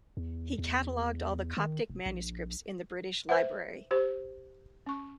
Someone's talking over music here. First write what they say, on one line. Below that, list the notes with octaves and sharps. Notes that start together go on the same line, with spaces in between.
He catalogued all the Coptic manuscripts in the British Library.
E2
E2
D#3
E1
A#1
B4 C5 E5 F#5
G4 C5
C#4 C#6